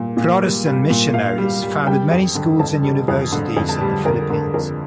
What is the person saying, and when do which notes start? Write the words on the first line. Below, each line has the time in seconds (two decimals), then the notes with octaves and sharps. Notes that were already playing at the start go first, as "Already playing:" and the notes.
Protestant missionaries founded many schools and universities in the Philippines.
Already playing: A#2 G3
0.17 A#2
0.41 G3
0.66 G3
0.90 A#2
1.14 A#2 F5
1.38 G3
1.62 G3
1.87 G3 G5
2.11 F2
2.35 D3
2.59 F2 A5
2.84 G3
3.08 F2
3.32 D3
3.57 F2
3.69 A5
3.81 G3
4.05 F2 A#4
4.30 D3 A#4
4.54 F2 A#4